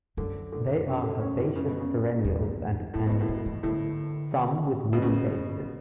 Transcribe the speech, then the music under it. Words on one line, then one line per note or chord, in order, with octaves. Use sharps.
They are herbaceous perennials and annuals, some with woody bases.
F#2 D3
D3
C#3
D3
C#4
E3
C#3
B2
C#3
E2
F#2 A2
G#2 B2
A2
G#2
E3
A2 D3
B2
C#3